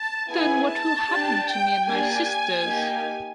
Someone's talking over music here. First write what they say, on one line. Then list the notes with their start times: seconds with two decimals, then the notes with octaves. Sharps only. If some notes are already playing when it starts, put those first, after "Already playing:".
Then what will happen to me and my sisters?
Already playing: A5
0.30 B3 E4 G#4 G#5
0.69 A5
1.08 D4 G4
1.48 G5
1.87 A#3 D4 G4 G#5
2.66 A#3 D#4 G4